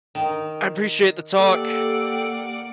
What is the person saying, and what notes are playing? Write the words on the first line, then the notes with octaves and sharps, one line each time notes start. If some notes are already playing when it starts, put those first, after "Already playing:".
I appreciate the talk.
D#3
A#3 G4 A4 D5 F#5